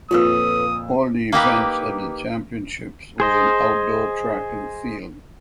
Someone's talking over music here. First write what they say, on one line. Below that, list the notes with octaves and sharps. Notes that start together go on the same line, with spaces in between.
All the events at the championships were in outdoor track and field.
F2 A#2 F4 A4 B4 C#5 D#6 E6
A#3 D#4 G4 B4
G#4 C5 D#5